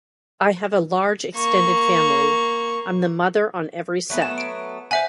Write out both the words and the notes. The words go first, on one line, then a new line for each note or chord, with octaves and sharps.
I have a large extended family; I'm the mother on every set.
A#3 C#6
F#3 A3 B3
E7
D7
C5 E5 F#5 G#5